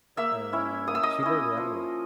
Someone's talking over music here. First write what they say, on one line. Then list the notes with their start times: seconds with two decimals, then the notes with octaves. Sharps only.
u uh, chile de árbol.
0.17 A#3 E5 E6
0.53 C#4 E4
0.87 A#3 D#6
0.95 E6
1.03 D#5 D#6
1.23 C#4 E4
1.57 F3